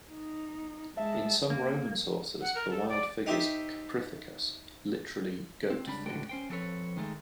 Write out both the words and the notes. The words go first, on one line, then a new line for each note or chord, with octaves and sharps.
In some Roman sources, the wild fig is "caprificus", literally "goat fig".
D#4
G#3 E5 A5
A#3
F#5
A#4
A4
D5
D#4 G4 C5 E5
C4
C#2 G3 D4 B5
C#2 A2 D3 F#4 G5
C#4 C5 G5
F3 B3 C4 A4 B4 C#5
D#3 G#3 A3